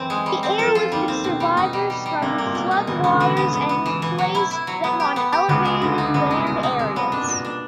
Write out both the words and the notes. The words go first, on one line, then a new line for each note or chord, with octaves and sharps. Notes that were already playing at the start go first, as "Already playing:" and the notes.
They airlifted survivors from flood waters and placed them on elevated land areas.
Already playing: F#2 E3 C4
G#3
G3
C4
F2 F3 A4
F4
D#2 D#3 G3
C4
B2 C4
G3
B2 D#4
G3
G3
G3
C2 C3 A#3
A#3
A#2
B2 A#3
D#4
B2 E3
C#2 C#3
B3
D2 D3
E3
B3
C#2 C#3 B3
B3
B2 E3
E3
F#3
E4
E4
F#3
B3
G4
B3
G4
C#2 C#3 B3
G#3
D2 D3 B3
D#4
C#2 C#3 B3
C2 C3
G#3
A#2
B2 G#3
D#4
C2 C3 G#3
B3
C2 C3 D4
A#2
B2
A#2
D4